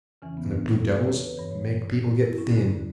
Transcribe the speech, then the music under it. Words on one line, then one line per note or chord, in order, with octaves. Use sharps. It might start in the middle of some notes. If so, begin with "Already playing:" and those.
And the blue devils make people get thin.
E2 C#3 E3 C#4
B3
D4
D4
A4
B4
C#5
B4
G2 E3 C#5
C#5
E4
C#4
E2 D3 F#4